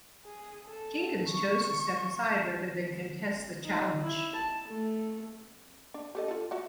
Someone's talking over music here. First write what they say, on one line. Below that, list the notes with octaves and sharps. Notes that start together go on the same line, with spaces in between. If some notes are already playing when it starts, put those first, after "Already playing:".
Jenkins chose to step aside rather than contest the challenge.
G#4
A4
C#6
D#4
E4
A5
A3
D4
G4 A4 D#5
F4 A4
F#4 E5 F#5